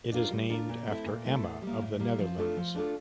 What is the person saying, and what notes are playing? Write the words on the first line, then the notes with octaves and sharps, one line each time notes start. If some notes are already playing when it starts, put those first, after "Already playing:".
It is named after Emma of the Netherlands.
D4 F4 A#4
G3
D4 F4 A#4
A#2
A3 C4 E4
A#2
A3 C4 E4
A2
G3 A#3
A2
G3 A#3
F3
A3 D4 F4 A4
F3
A3 D4 F4 A4